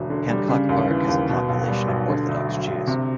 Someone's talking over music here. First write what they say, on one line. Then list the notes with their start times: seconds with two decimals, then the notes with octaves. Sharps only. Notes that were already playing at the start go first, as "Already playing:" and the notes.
Hancock Park has a population of Orthodox Jews.
Already playing: E1 D2
0.10 D3
0.30 G3
0.49 C#3
0.69 D#2
0.89 E3
1.09 D#2
1.29 B2
1.49 B1
1.69 G3
1.88 B1
2.08 D3
2.28 D2
2.47 F#3
2.67 D2
2.87 C3